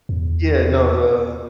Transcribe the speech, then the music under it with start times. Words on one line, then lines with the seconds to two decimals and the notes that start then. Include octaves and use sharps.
Yeah, no the
0.09 E2